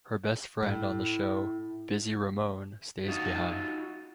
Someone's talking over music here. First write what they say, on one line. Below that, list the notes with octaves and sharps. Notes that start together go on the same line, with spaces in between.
Her best friend on the show, Busy Ramone, stays behind.
A2
D#4 F4 F#4 D#5